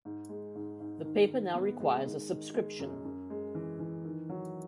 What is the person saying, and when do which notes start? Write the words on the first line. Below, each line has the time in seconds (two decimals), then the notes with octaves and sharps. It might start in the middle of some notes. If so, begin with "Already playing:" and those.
The paper now requires a subscription.
0.05 G#2
0.29 G#3
0.55 G#2
0.80 G#2
1.05 D#3
1.30 D#3
1.55 B3
1.80 G#3
2.05 D#3
2.30 D#3
2.54 G#3
2.79 F#2
3.05 F#2
3.30 G#3
3.55 E3
3.79 E3
4.04 D#3
4.29 F#3